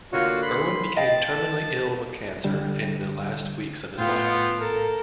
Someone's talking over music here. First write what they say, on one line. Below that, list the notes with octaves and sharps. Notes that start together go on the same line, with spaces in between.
Irwin became terminally ill with cancer in the last weeks of his life.
D3 A#3 F4 F#4 C#5
B5 C6
D#5 F5 G5 A5
D3 G3 G5
A2 B3 F4 G5
A4 A#4